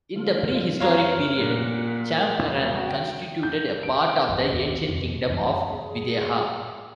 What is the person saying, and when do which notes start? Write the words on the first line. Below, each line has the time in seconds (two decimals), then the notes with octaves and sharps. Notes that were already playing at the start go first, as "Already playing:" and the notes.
In the prehistoric period, Champaran constituted a part of the ancient kingdom of Videha.
0.16 D3 F3 F4
0.80 F#2 F3 A#3 C4 C#5 F5 C6
1.36 A#2 A#4 F#5
2.39 E1
2.75 F#4
2.88 G5
3.43 G6
3.83 D7
4.29 A1 F#2
4.52 D#2
4.88 F2 C3
5.30 D1 C#2 F#2 E3
5.70 G#4